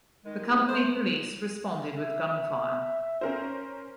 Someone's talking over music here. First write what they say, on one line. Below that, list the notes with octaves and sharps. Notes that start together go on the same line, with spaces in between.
The company police responded with gunfire.
D#3 G#3
G#2 C3 G#5
A3 C5
E5
C#4 A#4 C5